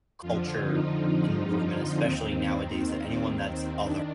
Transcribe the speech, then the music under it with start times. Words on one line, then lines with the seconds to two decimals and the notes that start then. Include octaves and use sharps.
culture and movement, especially nowadays, that anyone that's other,
0.22 F2 D3 F3 F4
0.67 D#4
2.02 D#2 D#3 C4
3.84 D#3 D4